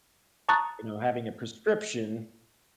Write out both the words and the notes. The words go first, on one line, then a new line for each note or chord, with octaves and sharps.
you know, having a prescription,
A5 A#5 C#6 D#6 F#6 A6